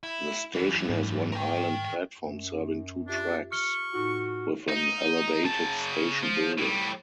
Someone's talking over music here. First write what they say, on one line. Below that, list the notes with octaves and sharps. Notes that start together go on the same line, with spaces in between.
The station has one island platform serving two tracks, with an elevated station building.
E4
F#2 E3
G#2
A#4 G5
F#2
D4 F4 G4 E5
C#6 F6 C#7 G7
A2 D#4 F4 F#4
D#4
C#3 A5
F3
A2 G3